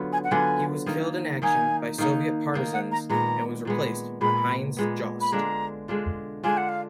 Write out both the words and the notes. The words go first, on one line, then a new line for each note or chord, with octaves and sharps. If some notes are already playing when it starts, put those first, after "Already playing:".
He was killed in action by Soviet partisans and was replaced by Heinz Jost.
Already playing: D3 F#3 B3 F4
G#5
F#5
D3 F#3 B3 F4 G#5
D#3 A#3 D#4
D#3 A#3 D#4 G#5
D#3 A#3 D#4
D#3 A#3 D#4
F#5
A#5
A#2 G#3 B3 A#5
A#2 G#3 B3
A#2 G#3 B3 B5
A#2 G#3 B3
B5
D3 G#3 D4 F4 A#5
D3 G#3 D4 F4
D3 G#3 D4 F4 G#5
F#5
F5